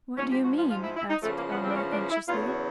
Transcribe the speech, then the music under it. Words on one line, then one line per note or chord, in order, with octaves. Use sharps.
"What do you mean?" asked Alma anxiously.
G#2 F3 C#4
G4
F#4
F4
F4
E4
E4
D#4
E2 C#3 F3 A3
A#3
B3
C4
D4
C#4
D4
E4
E2 C#3 F#3 F4
F#4